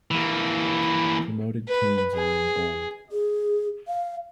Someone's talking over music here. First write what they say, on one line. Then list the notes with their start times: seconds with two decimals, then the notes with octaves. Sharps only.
Promoted teams are in bold.
0.11 E3 A#3
1.69 B4
2.15 G#4
3.12 G#4
3.88 F5